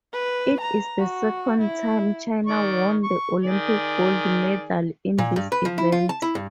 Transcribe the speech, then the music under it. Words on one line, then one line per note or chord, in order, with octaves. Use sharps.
It is the second time China won the Olympic gold medal in this event.
B4
A#5
F#4
E4
D#3 D5 C#6
C#6
D#3 G#4 D5
A#2
G2
B4
F3
E4
F4
A5
E4
G2